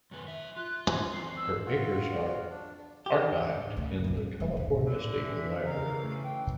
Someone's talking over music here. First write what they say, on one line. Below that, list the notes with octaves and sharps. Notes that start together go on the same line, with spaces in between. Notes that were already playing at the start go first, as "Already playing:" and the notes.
Her papers are archived in the California State Library.
F#2 D#3 B4
F3 E5
F4 F#6
G#5
E3 F3 C4 C7
E6
F4 F#4
D4
G4
D2 C#3
A#1 A#2
G3
F1
A1 D2
D3 E4
E3 E5
C#3 A#4 F5
E3
A3
G5